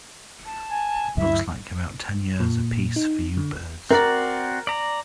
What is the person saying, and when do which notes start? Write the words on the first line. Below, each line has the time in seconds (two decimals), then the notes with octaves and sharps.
Looks like about ten years a piece for you birds.
0.45 A5
0.70 G#5
1.17 D2 G2 F#3 E4 E5
2.40 A#2
2.96 D#4
3.37 D3
3.91 C4 F#4 A#4 D5
4.67 D5 A#5